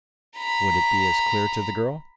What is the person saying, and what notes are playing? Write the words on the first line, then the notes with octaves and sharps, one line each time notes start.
Would it be as clear to the girl?
A#5 B5